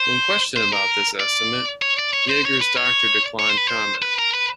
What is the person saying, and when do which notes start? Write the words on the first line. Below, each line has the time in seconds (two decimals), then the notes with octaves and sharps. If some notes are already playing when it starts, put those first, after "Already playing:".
When questioned about this estimate, Yager's doctor declined comment.
Already playing: C5
0.56 C5
0.73 A#4
1.20 D5
1.82 C#5
1.99 D5
2.13 C#5
2.29 C5
2.45 C#5
2.61 B4
2.77 C#5
3.39 C#5
3.49 C5
3.57 B4
3.67 C5
4.02 B4
4.19 A#4
4.34 B4